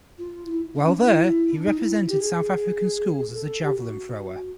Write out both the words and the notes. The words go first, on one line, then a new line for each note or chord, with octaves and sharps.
While there, he represented South African Schools as a javelin thrower.
F4
E4
D4
C#4
D4
E4
D4
D#4
E4
G4
G#4
A4
G4
F#4